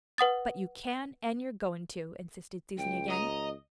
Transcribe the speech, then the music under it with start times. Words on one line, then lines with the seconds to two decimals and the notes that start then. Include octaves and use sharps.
"But you can, an' you're goin' to," insisted Susan again.
0.18 B4 F#5 D#6 A6
2.78 C#2 G5
3.10 D#5 A#5